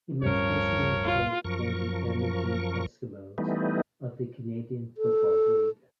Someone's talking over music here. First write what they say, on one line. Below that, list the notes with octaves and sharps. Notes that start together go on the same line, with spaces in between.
He most recently played for the Edmonton Eskimos of the Canadian Football League.
D1 G2 F3 C#4 A#4 C#5
F4
F#2 F3 A#4 C#6
E3 G3 A3 B3 D#4
A4